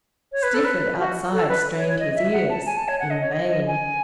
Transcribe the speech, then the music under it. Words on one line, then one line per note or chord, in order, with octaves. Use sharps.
Stifford, outside, strained his ears--in vain.
C#5
B4
A4
B4
F#4
A4
B4
C#5
C#5
D#5
E5
F#5
A5
G#5
A5
C#5
F#5
D#5
C#5
D#5
D#5
G#5